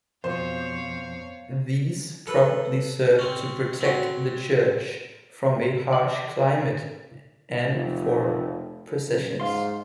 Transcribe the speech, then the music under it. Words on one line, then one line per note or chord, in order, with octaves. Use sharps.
These probably served to protect the church from a harsh climate, and for processions.
F2 B2 C5 C#5 F5
A4 B4
C4 C#4
C4 F#4
D5
F1
F#2
G#2 F5 C6